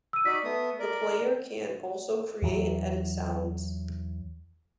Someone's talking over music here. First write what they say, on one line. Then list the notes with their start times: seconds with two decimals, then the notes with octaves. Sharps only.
The player can also create and edit sounds.
0.13 E6 D#7
0.26 D#4 F#4 D5 B6
0.44 A3 B3 D#6
0.79 A#4 D5
2.42 E2 E3 F#3